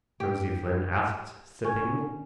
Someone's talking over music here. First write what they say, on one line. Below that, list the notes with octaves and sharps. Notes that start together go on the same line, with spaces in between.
Nosey Flynn asked, sipping.
G4
C#4